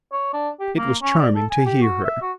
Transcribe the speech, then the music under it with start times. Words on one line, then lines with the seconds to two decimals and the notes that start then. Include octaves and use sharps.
It was charming to hear her.
0.13 C#5
0.34 D4
0.60 G4
0.78 A#3
1.02 C#4
1.19 D5
1.35 A4
1.51 G#5
1.66 G4
1.82 F#4
2.05 E5
2.22 F#4